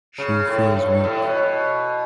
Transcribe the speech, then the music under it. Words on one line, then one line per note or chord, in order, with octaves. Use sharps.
She feels weak.
C#3
A2
G2
A2
B2
B2